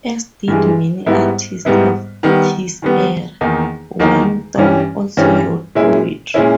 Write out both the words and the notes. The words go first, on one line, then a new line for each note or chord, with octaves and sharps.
As did many artists of his era, Wen Tong also wrote poetry.
G2 E3 G#3
G#2 G3 B3 E4
G#2 G3 B3 E4
D#3 G3 B3
D#3 G3 B3
E2 D#3 A#3 D#4
E2 D#3 A#3 D#4
G2 E3 G3 C#4
G2 E3 G3 C#4
A#2 G#3 C#4 E4
A#2 G#3 C#4 E4